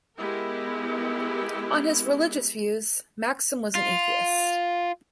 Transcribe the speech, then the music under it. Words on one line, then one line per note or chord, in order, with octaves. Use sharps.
On his religious views, Maxim was an atheist.
G#3 B3 E4 G4 A#4
F4